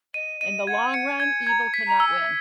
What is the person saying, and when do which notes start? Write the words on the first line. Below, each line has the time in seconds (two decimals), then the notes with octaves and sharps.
in the long run, evil cannot win.
0.14 D#5 D#7
0.41 D#5 D#7
0.67 F#5 G#6
0.94 C#7
1.07 G#5
1.20 G#6
1.47 A#5 G#6
1.74 B6
1.87 A#5
2.00 E6
2.07 G#5
2.18 E5